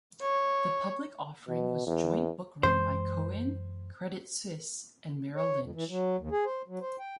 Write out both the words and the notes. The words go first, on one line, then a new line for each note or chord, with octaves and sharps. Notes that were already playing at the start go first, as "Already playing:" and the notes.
The public offering was joint bookrun by Cowen, Credit Suisse and Merrill Lynch.
C#5
B2
E2
F#2 E3 G#3 C5
C#5
F2
E3
F#3
D#2
G#4
C5
F#3
C5
G5